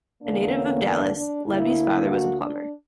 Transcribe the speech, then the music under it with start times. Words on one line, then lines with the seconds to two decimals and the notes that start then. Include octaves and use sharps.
A native of Dallas, Levy's father was a plumber.
0.22 E2 D3 A#3 D4
0.53 C#4
0.84 D4
1.16 D4
1.46 D2 D3 A#3 E4
2.09 F#4
2.41 D4